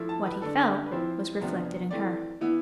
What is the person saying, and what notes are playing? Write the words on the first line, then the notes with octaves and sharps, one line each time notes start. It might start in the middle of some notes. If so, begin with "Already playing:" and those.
What he felt was reflected in her.
Already playing: F3 A3 E4
A5
B4
D3 A3 D4 A4
B4
F3 C4 E4 C5
C3 F3 B3 D4
E3 A3 C4 D5
E3 B3 E4